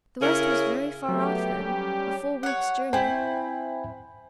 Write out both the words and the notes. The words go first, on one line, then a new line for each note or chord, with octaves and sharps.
The West was very far off then, a full week's journey.
C#3 C#4 E4 G#4 A#4
F#3 A3 B3 G4
G3 C#4
C#5 F#5
C4 E4 C5 G5 G#5